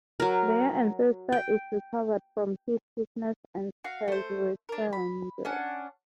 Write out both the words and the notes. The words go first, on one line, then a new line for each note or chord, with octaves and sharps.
Their ancestor is recovered from his sickness and has returned.
F#3 A#4
G5
F#4 F5
A3 C5
D4 A#4
B5
C#4 D4 F#5